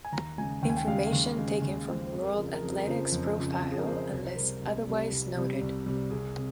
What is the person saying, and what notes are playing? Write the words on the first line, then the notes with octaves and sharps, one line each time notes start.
Information taken from World Athletics profile unless otherwise noted.
G#5
D#2 A#5
C#3 G#3 G#5
D#2 G5
G#5
G5
C#3 G#3 F5
D#2
C#3 G#3
D#2
C#3 G#3 C5
F2 G#4
A#4
G#4
C#3 F3
A#4
F2 G#4
A#4
C#3 F3 C5
F2
C#3 F3
F2
G#4
A#4
C#3 F3 C5
C2 A#4
C5
C3 G3 A#4
C2
C3 G3
C2
C3 G3
C2
C3 G3
C2 G#4
C3